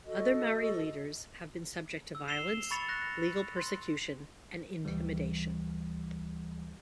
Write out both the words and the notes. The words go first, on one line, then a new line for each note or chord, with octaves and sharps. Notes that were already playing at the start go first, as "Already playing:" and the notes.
Other Mari leaders have been subject to violence, legal persecution and intimidation.
F#4 A4 D#5
E6
C7 E7 F7 G7
B5 C#6 A6 C#7 F7
F#6 A#6
C6
D2 E3 G3